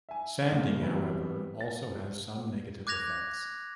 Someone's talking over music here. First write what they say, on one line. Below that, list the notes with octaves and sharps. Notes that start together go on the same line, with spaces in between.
Sanding however also has some negative effects.
E5 G#5
A#2 C#3 F3 A3 A#3
E3 F#3 G3 B3 C4
A6
D6 F#6 G#6 A#6 F7